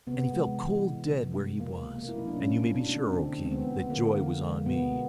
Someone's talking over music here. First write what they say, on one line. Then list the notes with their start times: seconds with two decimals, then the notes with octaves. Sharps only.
And he fell cold dead where he was; and you may be sure, O king, that joy was on me.
0.07 C3 B3
0.33 G#3
0.58 E3
0.84 C3
1.09 C3
1.35 G#3
1.60 B2 A#3
1.86 A3
1.98 A#3
2.09 F#3 E4
2.18 D#4
2.27 D4
2.36 B2 C#4
2.62 B2
2.75 D4
2.88 A3
3.13 D3 C4
3.39 G#3
3.46 C4
3.52 B3
3.64 F3
3.90 D3 A#3
4.15 D3
4.41 G#3
4.66 B2 B3
4.92 A#3